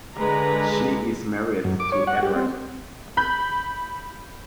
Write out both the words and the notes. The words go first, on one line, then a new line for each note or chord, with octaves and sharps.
She is married to Edward.
D3 G#3 B4 A#5
F#2
D6
C#5
F#5
G4
C4
B5 G6